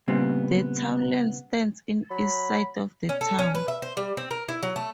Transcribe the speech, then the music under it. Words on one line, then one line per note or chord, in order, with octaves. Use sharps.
The townland stands in east side of the town.
A#2 C#3 G3 B3 C4
F#3 B5
C#4
A4
C#4
B4
E5
C5
G3
C4
A#4
E4
F#3
A3